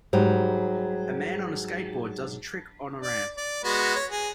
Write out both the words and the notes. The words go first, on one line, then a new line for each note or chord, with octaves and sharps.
A man on a skateboard does a trick on a ramp.
G#2 F#3 G3
D5
D5
G#3 B3 F#4
C#5
G#4